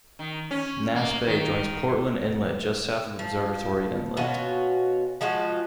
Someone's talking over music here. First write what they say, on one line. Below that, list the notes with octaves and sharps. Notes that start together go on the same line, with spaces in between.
Nass Bay joins Portland Inlet just south of Observatory Inlet.
D#3
C#4
A#3
D#3
F3
B2 C#4 F4 F#4
F3 G#3 F4 F#4